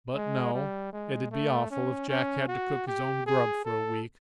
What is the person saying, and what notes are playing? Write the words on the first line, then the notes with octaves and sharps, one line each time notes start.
But no--it'd be awful if Jack had to cook his own grub for a week.
G#3
G3
G#3
A3
C#4
C#4
F#4
G4
G#4
A4